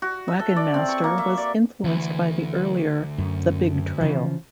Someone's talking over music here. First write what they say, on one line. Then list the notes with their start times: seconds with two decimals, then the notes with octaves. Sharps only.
"Wagon Master" was influenced by the earlier "The Big Trail".
0.02 F#4
0.28 E5
0.39 A4
0.56 D5
0.74 C4
0.89 C#6
1.04 A#3
1.18 E5
1.37 D5
1.84 D2 E3
3.18 F#2
4.00 C#3 E3 F3